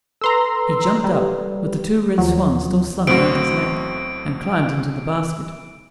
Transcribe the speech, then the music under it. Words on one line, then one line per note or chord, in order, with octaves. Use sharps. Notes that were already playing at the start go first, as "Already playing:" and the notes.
He jumped up, with the two red swans still slung round his neck, and climbed into the basket.
A4 B4 A#5 C6 E6
G3
D#2 F3 F#3
B1 A2 C4 F#4 D7